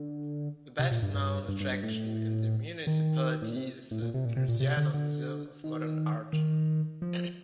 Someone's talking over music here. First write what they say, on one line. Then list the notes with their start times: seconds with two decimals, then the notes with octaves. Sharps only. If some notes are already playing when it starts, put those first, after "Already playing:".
The best known attraction in the municipality is the Louisiana Museum of Modern Art.
Already playing: D3
0.79 C3
0.91 A#2
1.02 G2
1.14 G2
1.49 G2
1.60 G2
1.72 G2
1.83 A2
2.87 D#3
3.42 A2
3.49 A#2
3.56 C3
3.91 A2
4.02 A#2
4.14 C3
4.25 A#2
4.36 C3
4.48 A#2
4.60 C3
4.77 D3
4.94 D3
5.64 D#3
6.33 D#3
7.02 F3